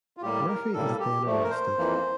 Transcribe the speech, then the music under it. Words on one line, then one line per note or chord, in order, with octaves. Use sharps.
Murphy is then arrested.
F4
A2 G3 A#3 G4
A#4
A2 G3 A#3 A4
G4
A#2 F3 A3
A#4
C5
F2 E3 A#3